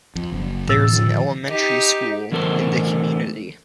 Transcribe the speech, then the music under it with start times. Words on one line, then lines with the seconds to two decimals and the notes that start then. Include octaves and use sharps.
There is an elementary school in the community.
0.15 F2
0.32 F#1
0.68 E2 A2 C3 E6 A6
0.92 D3 D#3 F3
1.50 D#4 G4
2.32 D3 E3 A3 A4 A#4 C5